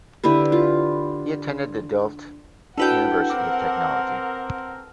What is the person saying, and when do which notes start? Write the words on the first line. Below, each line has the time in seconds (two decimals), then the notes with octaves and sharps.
He attended the Delft University of Technology.
0.24 D3 E4 G4 B4
0.52 F4
2.78 D4 E4 F#4 A4 B4 F#5 G5
3.30 C4 A#4 D6